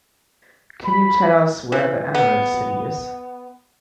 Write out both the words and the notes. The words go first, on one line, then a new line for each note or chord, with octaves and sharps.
Can you tell us where the Emerald City is?
B5
E3
B3